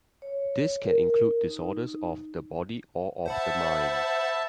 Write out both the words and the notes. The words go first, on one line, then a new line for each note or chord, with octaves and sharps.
This can include disorders of the body or of the mind.
C#5
A#4
D#4
C5 E5 F#5 A5 B5